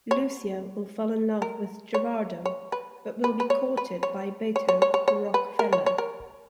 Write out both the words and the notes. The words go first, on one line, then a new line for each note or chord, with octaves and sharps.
Lucia will fall in love with Gerardo but will be courted by Beto "Roque-feller".
C#5
A#4
C#5
C#5
B4
B4
B4
C#5
B4
C#5
C#5
C#5
C#5
C#5
C#5
B4
A#4
C#5
C#5
A#4